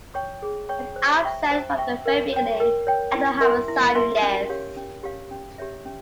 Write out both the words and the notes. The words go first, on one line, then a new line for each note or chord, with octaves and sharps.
And I've said from the very beginning, I don't have a side in this.
C#5 G5 C#6
G#4
C#5 G5 C#6
C5
E5 G5 C#6
C5
E5 G5 C#6
A#4
C#5 G5
A#4
C#5 G5
E4
A#4 E5 G#5 C6
E4
A#4 E5 G#5 C6
C#4
G4 C#5 F5
C#4
G4 C#5 F5
C#4
G4 C#5 E5
C#4